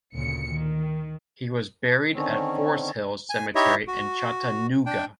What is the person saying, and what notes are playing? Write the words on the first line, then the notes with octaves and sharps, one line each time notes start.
He was buried at Forest Hills Cemetery in Chattanooga.
D2 A#2 C#3 C#7
D#3
D3 D#3 C4 C#4
G#5
D#4 E4 G4 C#5 D#5 E5
F#4
D4 G5